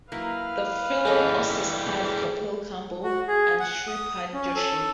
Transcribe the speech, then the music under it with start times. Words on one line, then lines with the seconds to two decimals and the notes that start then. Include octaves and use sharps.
The film also stars Kapil Kamble and Shripad Joshi.
0.12 F#3 A#3 E4 B4 F5
1.05 E3 G3 G#4 A4 C#5 D#5
3.04 F#4
3.28 G#4
3.60 F#5
3.87 D#6
4.34 C#4
4.55 A4